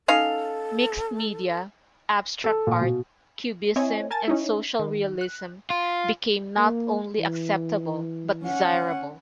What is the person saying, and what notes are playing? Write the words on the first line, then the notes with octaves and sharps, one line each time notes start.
Mixed media, abstract art, cubism, and social realism became not only acceptable, but desirable.
C#4 D#4 A4 F5
A4
A#2
B2
C4 E4 C#5 D#5 G#5
A#4 G#5 A5 A6
C#4 D#4 E4
D#3
F#6
F4
A#3
E3
C#4 F#5